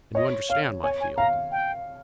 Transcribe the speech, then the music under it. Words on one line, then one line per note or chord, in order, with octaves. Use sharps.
"And you understand my feeling?"
C#5 D#5
C#5 F5
C#5 G#5
G#5
F5 A#5
G5